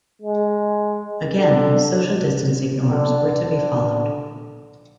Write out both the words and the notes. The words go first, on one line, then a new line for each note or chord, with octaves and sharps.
Again social distancing norms were to be followed.
G#3
D3
D3
D3